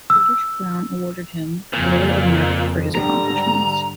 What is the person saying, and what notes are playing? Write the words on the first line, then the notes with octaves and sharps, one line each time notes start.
The British Crown awarded him the Order of Merit for his accomplishments.
E6
F2 A#2 C#3
G#2 D3 G3 A#5